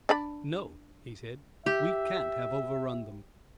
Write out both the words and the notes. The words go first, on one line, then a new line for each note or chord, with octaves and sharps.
"No," he said, "we can't have over-run them."
D4 D5 B5
G4 E5